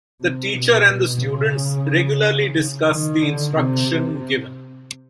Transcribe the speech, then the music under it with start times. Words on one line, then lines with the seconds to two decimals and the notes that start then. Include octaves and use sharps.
The teacher and the students regularly discuss the instruction given.
0.21 C3
0.54 B2
0.88 B2
1.21 C#3
2.88 D#3
3.21 D3
3.55 C3